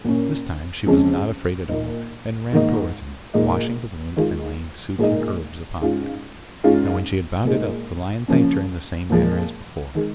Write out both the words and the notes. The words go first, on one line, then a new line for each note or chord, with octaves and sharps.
This time she was not afraid at all, and ran towards him, washing the wound and laying soothing herbs upon it; and when she had bound it up the lion thanked her in the same manner as before.
A#2 A#3 C#4
F2 C#3 G#3 C#4
A#2 A#3 D#4
G#2 D#3 A#3 D#4
A#2 G#3 D#4
D#3 G#3 F4
A#2 G#3 D#4
G#2 G#3 C#4 F4
G#2 G#3 C#4 F4
A#2 G#3 D#4
C#3 F3 A#3 C#4
A#2 F3 G#3
D#3 G#3